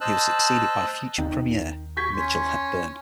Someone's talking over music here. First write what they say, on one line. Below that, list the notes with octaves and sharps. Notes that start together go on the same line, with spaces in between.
He was succeeded by future Premier Mitchell Hepburn.
C5 D#5 A5 E6 F#6
D#2 D#3
C#6 G6 G#6 B6
C#4 C6